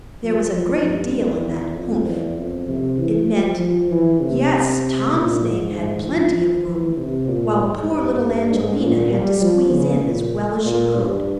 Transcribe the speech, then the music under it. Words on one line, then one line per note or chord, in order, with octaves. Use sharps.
There was a great deal in that "humph." It meant: Yes, Tom's name had plenty of room, while poor little Angelina had to squeeze in as well as she could.
F3
F3
G2
E2
F2
E2
F2
C3
E3
F3
F3
E3
C3
A#2
G#2
G#2
F3
F3
E3
C3
A#2
G#2
G2
G#2
A#2
G3
F3
C#3
A#2
A#2
G2